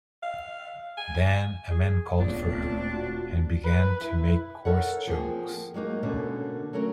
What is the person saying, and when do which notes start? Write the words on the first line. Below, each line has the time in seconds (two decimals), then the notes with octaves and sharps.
Then a man called for her, and began to make coarse jokes.
0.23 F5
0.97 G#5
1.71 G#4
2.19 D1 A#2 A3 B3 C4 D4 F4 C#5
2.89 F4 F#4
3.64 B4
4.05 E4
4.65 A4 A#4 C#5 F#5
5.07 F3 A#3 C4 G#4
5.74 F#3 G#3 A#3 D#4
6.03 B2 D3 A#3 C#4
6.73 F#3 A3 C#4 A#4